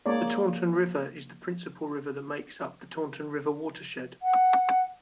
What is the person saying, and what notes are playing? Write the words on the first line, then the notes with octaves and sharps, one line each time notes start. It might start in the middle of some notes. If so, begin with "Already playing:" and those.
The Taunton River is the principal river that makes up the Taunton River Watershed.
G#3 A#3 G#4 C#5 D5
F#5